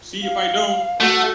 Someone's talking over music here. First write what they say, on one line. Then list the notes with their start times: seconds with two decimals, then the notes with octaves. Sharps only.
See if I don't!
0.24 F5
1.01 A3 F#4